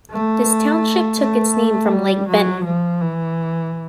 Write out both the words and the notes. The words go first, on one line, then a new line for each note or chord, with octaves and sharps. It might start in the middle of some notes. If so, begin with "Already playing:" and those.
This township took its name from Lake Benton.
A3
A3
G3
F#3
F3
E3